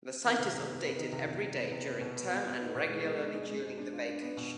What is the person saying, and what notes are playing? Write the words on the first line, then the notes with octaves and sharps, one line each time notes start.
The site is updated every day during term and regularly during the vacation.
D#3
C3
C3
B3
B3
D#3
C3
C3
C3
B3
C3
B3
B2
B3
B3
B3
D#4
B2
G#3
G#3
D#4
G#3
G#3
G#3
D4
F4
D4
B3
B2